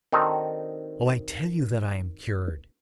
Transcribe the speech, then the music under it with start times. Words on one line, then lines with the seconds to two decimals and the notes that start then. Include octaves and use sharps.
Oh, I tell you that I am cured!
0.12 D#3 C4 D4 D#4 F#4 A4